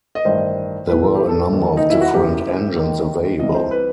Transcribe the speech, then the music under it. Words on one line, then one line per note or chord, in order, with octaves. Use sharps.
There were a number of different engines available.
D#5
A1 G2 D#3 C5
B1 A2 E3 B4
A4
G4
A4
E1 D#2 D#3
D#4
E4
F#4
F#1 F#2 E3 G4
D#2 D#3
C2 C3 E3 D#5
C5
B4